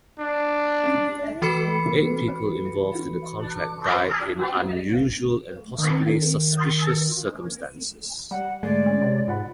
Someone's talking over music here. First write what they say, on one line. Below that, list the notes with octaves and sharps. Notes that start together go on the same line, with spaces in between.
Eight people involved in the contract died in unusual and possibly suspicious circumstances.
D4
E3 F#4 A4 B4 B5 C#7
D#3
G3 F#5
G#2 D3 G#3 A3 D5
C#4
C3 C#5
G#2 F4 F#5 B5